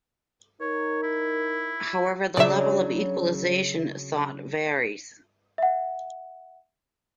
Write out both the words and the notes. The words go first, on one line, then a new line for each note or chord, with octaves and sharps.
However the level of equalisation sought varies.
D#4 A#4 C#5
E4
C#3 F#3 D4 D5 E5
E5 F#5